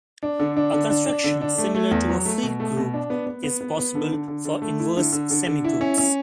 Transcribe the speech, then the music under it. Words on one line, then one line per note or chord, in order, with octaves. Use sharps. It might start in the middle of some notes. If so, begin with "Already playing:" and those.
A construction similar to a free group is possible for inverse semigroups.
D4
D3
D4
D3
D4
D4
D3
D4
A3
A3
E2
F#3
A3
B2
A3
B2
D4
B3
B3
B3
B3
B3
D3
D3
D3
D3
A3
E4
D3
D3
D3
D3
E4
C#4
C#4